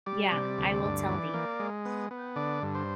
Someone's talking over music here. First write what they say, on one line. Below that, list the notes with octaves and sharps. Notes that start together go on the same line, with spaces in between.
Yea, I will tell thee.
G3 D5
C3
D2
G2
E3
A#3
G#3
B3
B3
D3 D5
G2
C5